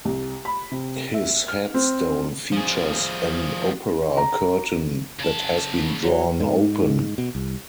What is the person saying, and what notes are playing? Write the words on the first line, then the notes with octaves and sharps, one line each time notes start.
His headstone features an opera curtain that has been drawn open.
C2
B5
C3
E5
F6
C4
F3 G#4
A#5
C#3 A5
F#3
G#2
B2
C2